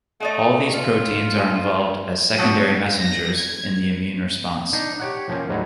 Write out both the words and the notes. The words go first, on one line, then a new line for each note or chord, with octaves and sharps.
All these proteins are involved as secondary messengers in the immune response.
A3 D5 D#5 F#5
F4
G#3
F3 F#3 C4
A#6
G#6
D4 D#4
G4 C#5 F#5
F3 A#3 C#4
D2 G#2 F#3 G3